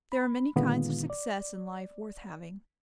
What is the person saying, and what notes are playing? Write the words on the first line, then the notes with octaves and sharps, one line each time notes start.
There are many kinds of success in life worth having.
B5
A#2 D3 D#3 G#3 B3 F4
D5